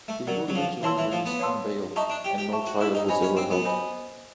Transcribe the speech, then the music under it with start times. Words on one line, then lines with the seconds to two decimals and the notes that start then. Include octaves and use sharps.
They were later on released on bail and no trial was ever held.
0.08 A3
0.27 F#3 A#4 D5 F#5
0.48 F#3
0.55 F3
0.83 E3 C#5 F5 A5 C6 E6
0.98 E3
1.12 F3
1.26 B3
1.39 C#5 F5 A5 C6 E6
1.96 D#4 E5 A5 C#6
2.10 D4
2.24 G4
2.38 G4
2.52 E5 A5 C#6
2.67 F#4
2.81 E4
2.95 D#4
3.09 C#4 C5 D#5 G#5 B5
3.23 C#4
3.37 C4
3.51 B3
3.65 C5 D#5 G#5 B5